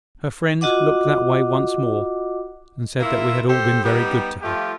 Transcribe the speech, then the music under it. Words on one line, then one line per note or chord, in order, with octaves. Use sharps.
Her friend looked that way once more, and said that we had all been very good to her.
F4 F#4 D#5 F#5 D6
A#3 E4 F4 E5
G4 A4 C5
G3 B3 D#4 G4
F3 A3 F4 G4